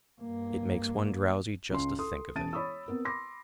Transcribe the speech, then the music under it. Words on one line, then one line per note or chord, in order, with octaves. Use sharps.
It makes one drowsy just to think of it!
G2 A#3
C#2 C#4 C6
A4 C6 D#6
E1 C#4 A5 A6 D7 D#7
C#5 B5 C#6 D#6 E6
B3 C4 A#4
B5 C6 D6 A#6